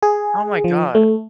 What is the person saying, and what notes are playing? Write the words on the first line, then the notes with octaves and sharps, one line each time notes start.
Oh my god.
G#4
F3
A3